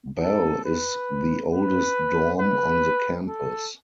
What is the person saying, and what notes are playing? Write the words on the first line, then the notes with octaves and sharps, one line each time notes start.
Belle is the oldest dorm on the campus.
A4
B4
B4
B4
A4